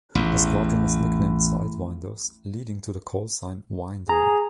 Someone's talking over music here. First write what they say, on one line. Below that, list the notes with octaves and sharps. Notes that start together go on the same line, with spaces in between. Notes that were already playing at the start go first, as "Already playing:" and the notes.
The squadron is nicknamed "Sidewinders", leading to the call sign "Winder".
A1 E2
G#4 A#5